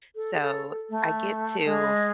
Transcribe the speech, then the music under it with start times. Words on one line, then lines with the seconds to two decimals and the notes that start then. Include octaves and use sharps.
So, I get to,
0.16 A4
0.34 G#4
0.40 A4
0.90 A3
1.65 G#3